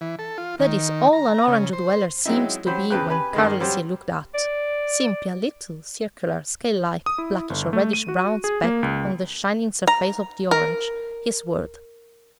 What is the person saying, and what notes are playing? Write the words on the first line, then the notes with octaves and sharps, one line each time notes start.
That is all an Orange-dweller seems to be when carelessly looked at; simply a little circular, scale-like, blackish or reddish-brown speck on the shining surface of the orange, his world.
E3
A4
F4
D#3
A#5
C#3
C5
F#3 G#3 C4 D#4 E4
F#3 G4 C5 B5
E2 C#3 B4 G5 F#6
G4 B4 G#5 B5
G2 D#3 G#3
F#3 G3 G4 C5
D5
D#6
E4
G1
A3
D#7
F#4
G#4
A#3
C#2
A#5
A#4